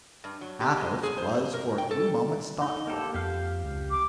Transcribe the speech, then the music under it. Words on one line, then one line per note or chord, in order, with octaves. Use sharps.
Athos was for a few moments thoughtful.
G2
F#3
G4
G#3
G#4
C5
C5
A#4
G5
A4
D#4
A#3 G4 A4
F2 G4 F5
C#2
D6